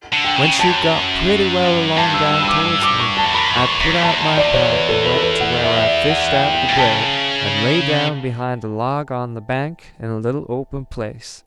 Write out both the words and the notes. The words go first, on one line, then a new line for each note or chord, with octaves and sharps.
When she'd got pretty well along down towards me, I put out my pipe and went to where I fished out the bread, and laid down behind a log on the bank in a little open place.
D3
G5
C#3
F#2 A5
G2 A5
E6
E6
E6
D6
E6
D6
C#6
A5
E2
F#2 B5
E2 C#6
F#2
F#2
E2 A5
A5
D5
C#5
B4
A4
B4
A4
B4
F#5
E5
E5
D5
F#5
G5
G5
B2 G5
C#3 A5